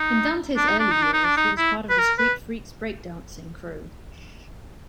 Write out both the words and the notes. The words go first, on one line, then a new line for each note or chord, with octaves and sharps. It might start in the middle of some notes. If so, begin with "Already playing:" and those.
In Dante's early years, he was part of the Streat Freaks breakdancing crew.
Already playing: D#4
D4
D#4
D4
D#4
D4
D#4
D4
D#4
E4
B4
A#4
B4